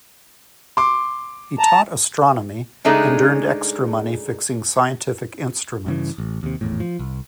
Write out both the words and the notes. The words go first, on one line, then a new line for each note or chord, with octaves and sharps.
He taught astronomy and earned extra money fixing scientific instruments.
C6 D6
A5 A#5
C#3 G#3 A3 D4 D#4
G2 C#3 E3
A1
D#2 C3
G#1 E2 A2
F3
C2